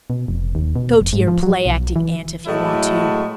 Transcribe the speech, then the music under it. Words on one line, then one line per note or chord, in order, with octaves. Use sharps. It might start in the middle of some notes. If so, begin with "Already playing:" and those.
Go to your play-acting aunt if you want to.
B2
F1
D#2
B2
F1
G#2
F3
F#3
B1
E3
A2 F#3 G#3 A3 E4